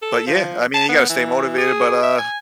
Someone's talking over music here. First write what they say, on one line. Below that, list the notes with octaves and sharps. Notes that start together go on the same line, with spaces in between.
But yeah, I mean, you gotta stay motivated, but, uh,
A4
F3
A5
B3
E3
G#4
E5
G#5